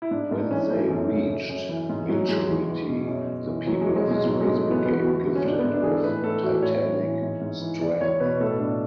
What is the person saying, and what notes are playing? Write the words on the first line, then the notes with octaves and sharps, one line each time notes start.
When they reached maturity, "the people of his race became gifted with titanic strength".
E4
G#2 D4
G#2 D4
E3 C#4
E3 A3
F#2
C#3
F#2
F#2
E3
G#2
G#2 F#3
E3 G#3
E2
E2
B2
F#2
F#2
E3
E2 F#3
E2 G#3
G#3
B2 G#3
G#2 F#3
G#2 G#3
A3
E3
B3
E2 B3
F#4
E2
F#4
D3
C#4
G#2 D4
G#2 B3
D4
E3 G#4
A4
A2 B4
A2 A4
E3 F#4
A2 C#5
A2
E3
G#2
G#2
E3
E2 D5
E2 C#5
B2 B4
A2 A4
A2 D4